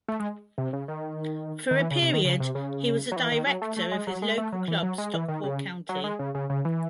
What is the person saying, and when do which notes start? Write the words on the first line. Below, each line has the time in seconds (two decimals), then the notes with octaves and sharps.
For a period he was a Director of his local club Stockport County.
0.08 A3
0.20 G#3
0.58 C3
0.73 C#3
0.88 D#3
1.71 D#3
1.80 E3
1.91 C#3
2.02 C3
2.13 D#3
2.25 C#3
2.40 C3
2.55 C#3
3.12 F#3
3.16 E3
3.32 D#3
3.47 F#3
3.62 A3
3.76 A3
3.92 G#3
4.07 F#3
4.22 G#3
4.38 A3
4.52 F#3
4.68 E3
4.83 F#3
4.98 G#3
5.14 E3
5.28 D#3
5.44 C#3
5.89 F#3
6.04 G#3
6.19 C#3
6.35 C#3
6.50 C#3
6.65 E3